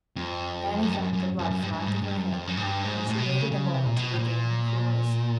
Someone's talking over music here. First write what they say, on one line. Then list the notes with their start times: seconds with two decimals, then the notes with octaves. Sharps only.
Annie felt the blood fly to her head, and she waited a moment to regain her coolness.
0.16 F2
0.83 F#2
0.92 G2
0.98 F#2
1.13 F#2
1.39 F#2
1.51 F#2
1.62 G2
1.73 G2
1.87 G#2
2.02 G2
2.17 F#2
2.32 F2
2.47 F#2
2.57 G#2
2.62 G2
2.84 G#2
3.07 A2
3.18 B2
3.29 C3
3.40 C#3
3.52 C#3
3.74 C3
3.86 A#2
3.96 B2
4.14 A2
4.19 A#2